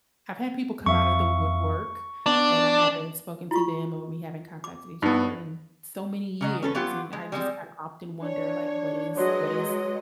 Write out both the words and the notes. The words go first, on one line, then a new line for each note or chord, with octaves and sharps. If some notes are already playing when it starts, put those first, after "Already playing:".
I've had people come out of the woodwork, and I haven't spoken to them or we haven't contacted each other in so many years, and I just kinda often wonder, like, what is what is
F2 E5 F5 C#6
B3 D4
E4 F4 C#6
D6
G2 B3 D#4
C#3 F#3 D#5
C#4 A4 B4
F#3 B3 F4 G4
G#3
G3 G#3 C4
D4 C#5
F#3 G#3 B4 C#5 D#5 C6